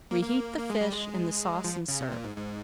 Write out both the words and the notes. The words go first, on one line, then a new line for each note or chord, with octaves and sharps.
Reheat the fish in the sauce and serve.
A#3
A#3
A#3
G#3
G3
G#3
F3
C#3
C3
A#2
G#2
G#2